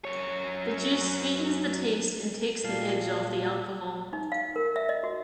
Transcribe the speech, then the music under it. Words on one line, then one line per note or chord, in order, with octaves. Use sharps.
The juice sweetens the taste and takes the edge off the alcohol.
F#2 C#5
A#2 G3 F5 A5
G3
D#4
F5
A#4
E5
D#5
F#4